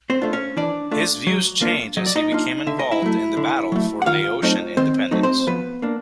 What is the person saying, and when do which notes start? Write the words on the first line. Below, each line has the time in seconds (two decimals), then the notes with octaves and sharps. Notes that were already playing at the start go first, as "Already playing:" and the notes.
His views changed as he became involved in the battle for Laotian independence.
0.10 C4 C5
0.22 A3 D4 F4
0.33 C#4 C#5
0.57 E3 D4 D5
0.91 A3 D4 F4
1.27 F#3
1.62 A#3 D4 F4
1.97 F#3 D#5
2.06 D5
2.16 D#4 D#5
2.31 A#3 D4 F4
2.67 D3 E5
2.79 D#5
2.92 E4 E5
3.02 F#3 A3
3.37 D3
3.72 F#3 A3
4.02 F#5
4.06 D#3 F4 F5
4.42 F#3 A3 C4 D#4
4.77 D#3 C4 C5
5.11 F#3 A3 C4 D#4
5.23 C4 C5
5.47 F3 B3 B4
5.82 A#3 D4